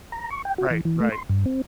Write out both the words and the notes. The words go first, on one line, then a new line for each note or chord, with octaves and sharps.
Right, right.
A#5
C#6
G5
F#4
E3
E3
A3
C6
G2
C4